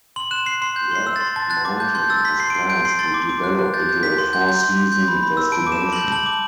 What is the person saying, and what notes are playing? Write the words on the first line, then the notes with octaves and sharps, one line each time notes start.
Ragged Mountain has plans to develop into a four season destination.
C6 F#7
F#6 E7
F#6 C7
C6 C7
G6
C6 C7
E6
A6
C6
A5 A6
F#6 A6
D6 A6
A5 G6
C6 G6
E6 A6
C6 B6
C6 C7
D7
C6 C7
G6 D7
C6 C7
C6 A6
D6
D6
F#6
F#6
G6 A6
G6
G6 B6
C6
G6
G6
C6
C6
G6
B5
B5
E6
A5 D7
D6
E7
A5
G6 F#7
A5 F#7
D6